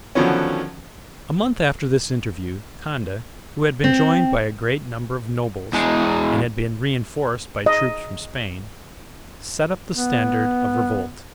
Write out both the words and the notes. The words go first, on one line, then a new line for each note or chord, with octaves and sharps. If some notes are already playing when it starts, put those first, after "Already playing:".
A month after this interview, Conde, who had been joined by a great number of nobles, and had been re-enforced by troops from Spain, set up the standard of revolt.
D3 D#3 F3 F#3 B3 C#4
C4
E2 G#3
D#5
B3